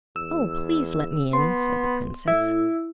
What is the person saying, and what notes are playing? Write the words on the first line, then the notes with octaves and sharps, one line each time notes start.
"Oh, please, let me in!" said the princess.
E2 E6
B3 C6
A2 E4